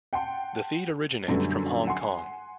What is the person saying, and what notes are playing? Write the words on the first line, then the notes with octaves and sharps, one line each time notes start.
The feed originates from Hong Kong.
F#5 G5 A5 C6
F#2 D3 G3 A3 B3
F#5 G#5 C6